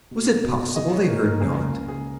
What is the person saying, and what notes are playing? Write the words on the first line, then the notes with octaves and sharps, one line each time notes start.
Was it possible they heard not?
B2
B2
G#4 D#5
C#5
A#3 A#4
A#4
C#2 G#4
A#4
C#2
G#4